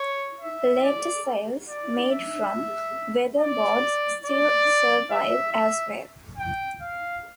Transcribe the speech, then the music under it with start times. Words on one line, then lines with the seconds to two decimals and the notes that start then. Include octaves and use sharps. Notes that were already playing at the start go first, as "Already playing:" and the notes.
Later cells, made from weatherboards still survive as well.
Already playing: C#5
0.40 E5
0.83 D5
1.69 D5
2.11 E5
3.39 D5
4.25 D5
5.11 E5
5.52 E5
6.38 G5
6.81 F5